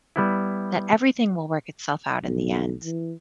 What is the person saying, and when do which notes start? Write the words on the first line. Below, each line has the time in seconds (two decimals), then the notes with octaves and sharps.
that everything will work itself out in the end
0.16 G3 B3 E4
2.24 B1
2.84 E3